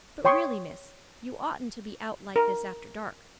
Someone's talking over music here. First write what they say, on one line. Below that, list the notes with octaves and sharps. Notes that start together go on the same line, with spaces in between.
But really, miss, you oughtn't to be out like this after dark.
C#5 G5 C6 C#6 D#6
A#4